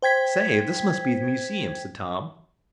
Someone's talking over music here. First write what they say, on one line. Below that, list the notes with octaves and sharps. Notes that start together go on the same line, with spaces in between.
"Say, this must be the museum," said Tom.
C5 G5 G#6 B6